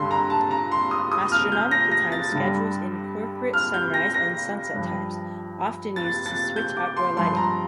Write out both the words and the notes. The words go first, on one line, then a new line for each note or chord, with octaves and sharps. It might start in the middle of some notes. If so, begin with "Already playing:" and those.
Astronomical time schedules incorporate sunrise and sunset times, often used to switch outdoor lighting.
Already playing: G2 D3 G3 C6
A#5
A5
A#5
C6
D#6
D#6
F6
G6
A#6
A#6
A6
G2 D3 G3
F6
G6
A#6
A#6
G2 F3
A6
A6
G6
D6
C6
G2 F3 C6
A#5